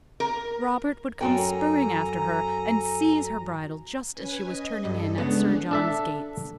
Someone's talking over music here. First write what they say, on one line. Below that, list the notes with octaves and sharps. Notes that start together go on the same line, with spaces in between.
Robert would come spurring after her and seize her bridle just as she was turning in at Sir John's gates.
A#4
F#2 F#4 A4 G5 G#5 A#5
C#4 B4 G#5
D#5
G2 A4
C#3 G#3 B3 D4
D4 A4 E5